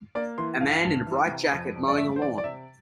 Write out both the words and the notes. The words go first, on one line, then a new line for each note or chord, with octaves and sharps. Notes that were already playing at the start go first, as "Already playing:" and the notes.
A man in a bright jacket mowing a lawn.
A#3 D5
E3 C6
G2 F5
G2
E3
C3
F2
F2
D5
A3 E5
C5
E3 D5
D5
C3 E5